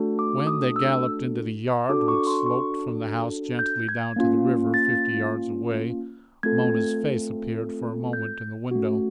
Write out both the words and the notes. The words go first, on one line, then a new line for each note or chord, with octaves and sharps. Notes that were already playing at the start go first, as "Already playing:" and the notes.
When they galloped into the yard which sloped from the house gently down to the river fifty yards away, Mona's face appeared for a moment in the window.
Already playing: A3 D4 F#4 A4
D6
D#6
E6
D4 F#4 A4 D6
C#6
C6
C#6
G6
G#6
A#3 C#4 F4
A6
A3 C4 F4 A4 G#6
G6
A3 C#4 F#4